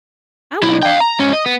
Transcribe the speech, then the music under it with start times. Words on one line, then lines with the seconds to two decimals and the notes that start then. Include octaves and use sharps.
I will
0.63 B1 E4
0.83 F5 G5
1.00 A#5
1.19 G#2 C#4
1.33 D#5
1.46 B3